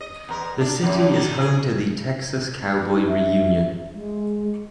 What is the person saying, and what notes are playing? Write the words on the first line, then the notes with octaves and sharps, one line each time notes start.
The city is home to the Texas Cowboy Reunion.
D#5
E2 A#4
D4
F#2 A2
D#3 D4
G#4
G4
D#4
E5
G#3